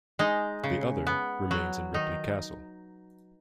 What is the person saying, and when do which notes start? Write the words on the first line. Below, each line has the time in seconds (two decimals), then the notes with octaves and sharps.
The other remains in Ripley Castle.
0.19 G#3 D#4
0.64 C#3
1.07 B3
1.51 F#3
1.94 D#3 D#4